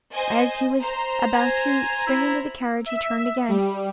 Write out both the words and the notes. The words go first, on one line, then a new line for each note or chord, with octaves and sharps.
As he was about to spring into the carriage, he turned again.
C5 D#5 G#5
C5 A#5
G#5
E4
E5
G3